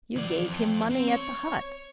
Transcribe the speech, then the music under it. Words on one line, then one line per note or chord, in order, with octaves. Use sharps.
You gave him money at the hut.
E3 D5
F2
C4
C#5